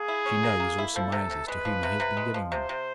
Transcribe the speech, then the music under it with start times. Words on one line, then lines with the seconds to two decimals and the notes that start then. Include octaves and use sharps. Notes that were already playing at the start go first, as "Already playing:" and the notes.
She knows, or surmises, to whom he has been giving them.
Already playing: A#3 G#4
0.08 E4
0.26 C#4
0.43 A#3
0.60 A#3
0.78 E4
0.95 F3 A4
1.12 C3
1.30 C3
1.47 G#3 B4
1.65 F3
1.83 C3
2.00 C3
2.17 G#3
2.34 F3
2.52 C3 C5
2.69 C3